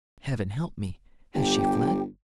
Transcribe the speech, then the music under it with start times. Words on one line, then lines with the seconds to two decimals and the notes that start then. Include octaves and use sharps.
Heaven help me! has she fled?
1.35 G1 G4 G5